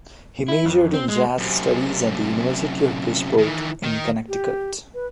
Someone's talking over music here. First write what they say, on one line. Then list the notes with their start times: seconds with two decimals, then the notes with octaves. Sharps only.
He majored in jazz studies at the University of Bridgeport in Connecticut.
0.48 E4
0.65 F2
0.94 C4
1.08 G#3
1.38 F#2 C3
3.38 D#3 E3
3.83 D#3
4.28 G4
4.94 B4